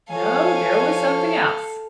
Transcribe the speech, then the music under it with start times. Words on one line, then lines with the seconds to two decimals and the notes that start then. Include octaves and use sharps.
No, there was something else!
0.11 F3 A4 C#5 F5 G#5